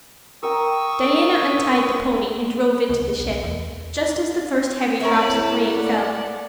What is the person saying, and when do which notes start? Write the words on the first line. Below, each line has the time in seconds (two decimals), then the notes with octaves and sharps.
Diana untied the pony and drove into the shed, just as the first heavy drops of rain fell.
0.43 A#4 G5 C#6 D#6 E6
2.89 C#2
3.20 B1
3.43 E2
4.66 C4
5.00 A2 A#4 C#5 E5 A5 B5
5.63 D5 F#5